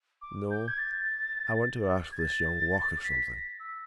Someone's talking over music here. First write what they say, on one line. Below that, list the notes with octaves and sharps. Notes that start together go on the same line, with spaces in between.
"No, I want to ask this young Walker something."
D6
G6
G#6
A6
G#6
A6
B6
A#6
E6